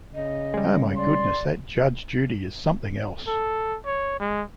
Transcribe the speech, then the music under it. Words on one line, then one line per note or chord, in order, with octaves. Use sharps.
Oh my goodness, that Judge Judy is something else.
C#3 D#5
G3 G#3
D5 C6
A4
C#5
G#3